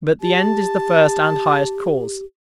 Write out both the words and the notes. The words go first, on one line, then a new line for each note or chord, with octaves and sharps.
But the end is the first and highest cause.
G4 A5